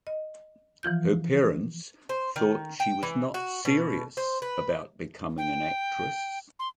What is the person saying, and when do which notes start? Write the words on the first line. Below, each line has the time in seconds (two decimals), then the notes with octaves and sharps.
Her parents thought that she was not serious about becoming an actress.
0.07 D#5
0.83 E3 F3 F4 G6
2.09 C5
2.36 D#3
2.80 G5
3.03 E3
3.34 F#4
3.65 B2
4.17 C5
4.42 B4
5.38 G5
6.59 C6